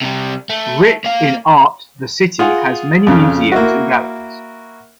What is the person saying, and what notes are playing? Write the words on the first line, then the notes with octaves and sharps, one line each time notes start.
Rick in art the city has many museums and galleries.
C3 G3
A3
A#3 F5
F4 G#4 F#5
F2 C#3
A#3 E4 F#4